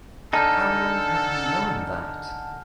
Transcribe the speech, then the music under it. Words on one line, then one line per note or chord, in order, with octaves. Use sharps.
How long have you known that?
D3 D#4 A4 G#5 A5 F6 G6